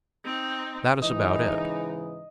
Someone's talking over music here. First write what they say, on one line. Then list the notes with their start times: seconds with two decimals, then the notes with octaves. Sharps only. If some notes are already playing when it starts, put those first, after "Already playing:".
That is about it.
0.25 C4 D#4
1.02 G#2 C#3 E3 D#4 D#5